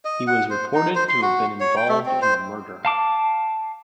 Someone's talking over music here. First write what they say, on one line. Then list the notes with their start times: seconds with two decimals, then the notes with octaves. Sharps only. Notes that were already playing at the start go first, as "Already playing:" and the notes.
He was reported to have been involved in the murder.
0.05 D#5
0.27 F#5
0.50 C5
0.74 D#4
0.95 C5
1.09 C6
1.22 F#4
1.60 C#5
1.76 G5
1.89 A3
2.06 C4
2.22 C5
2.85 F5 A5 D6